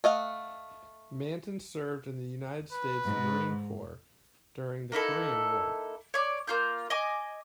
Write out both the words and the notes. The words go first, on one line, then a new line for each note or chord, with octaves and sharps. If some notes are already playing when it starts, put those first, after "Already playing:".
Manton served in the United States Marine Corps during the Korean War.
A3 D#5 F5 F#5
B4
G#2
A#3 D#4 E4 A4
C#5 D5
A#3 F4 G6
D#5 G#5 D6